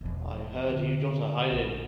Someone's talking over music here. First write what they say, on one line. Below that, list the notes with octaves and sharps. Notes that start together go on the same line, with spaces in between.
I heard you got a hiding.
E1 F3
E2 D3
A#1